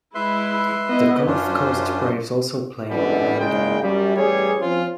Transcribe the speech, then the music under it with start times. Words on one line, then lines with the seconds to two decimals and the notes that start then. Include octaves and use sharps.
The Gulf Coast Braves also play in Orlando.
0.15 G#3 E4 B4 E5 C6
0.89 B3 E4 D#5
1.27 F#2 C#4 D4 F4 C5
2.90 F#2 B2 D3 E3 G3
3.38 F#1 A#2 C#3 G#3 G5
3.81 F#2 G3
4.15 A1 G3 G#4 C#5
4.61 F3 C4 C#4 F4